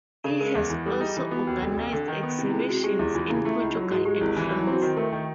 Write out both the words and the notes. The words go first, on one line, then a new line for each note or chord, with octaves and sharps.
He has also organised exhibitions in Portugal and France.
C#3 A4
G#3 A#4
E2
E3
G3 A4
D#4 G#4
E3 G4
B3 F#4
D#2 F#4
F1
F#4
F1
D3
D#3
B3
C3 E4
E4
G#3
F4
C3 F#4
G#3 G4
E2 E4
E3 F4
C#3 E4
A3 E4
C#2 E4
D#4
F#3
F4
G#2 F#4
G#3 G4
G#1 E4
E3 D#4
F#3
E4
C4 F#4
D#3 F#4
A3 A#4
D#3